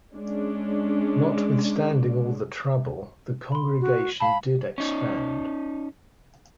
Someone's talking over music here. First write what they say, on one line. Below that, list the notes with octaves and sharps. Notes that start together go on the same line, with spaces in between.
Notwithstanding all the trouble, the congregation did expand.
G#3 C#4 D4
B5 C6
F#4
F5 A5 B5
C#4 D#4